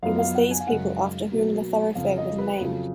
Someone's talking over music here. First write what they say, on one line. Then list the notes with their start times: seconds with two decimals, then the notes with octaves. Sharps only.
It was these people after whom the thoroughfare was named.
0.03 F#2 F3 B3 D#4 F5
0.18 F5
0.35 F#5
0.51 G#5
0.60 F5
0.66 F#2 C#3 G#3 D#4 F#5
0.99 F5
1.31 B2 F#3 A#3 D#4
1.95 F2 C#3 F3 F5
2.18 D#5
2.39 B4
2.60 F2 C#3 F#3